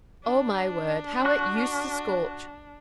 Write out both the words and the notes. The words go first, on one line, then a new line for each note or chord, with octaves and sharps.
Oh, my word, how it used to scorch!
D4
F#4 C#6 F#6